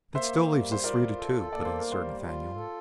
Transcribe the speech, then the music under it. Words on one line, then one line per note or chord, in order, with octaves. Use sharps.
"That still leaves us three to two!" put in Sir Nathaniel.
A#3 C5 E5
G3
C5
F4 A#4 D5
A4
A#3 D5
C5
A#4
G3 C5
F4
A4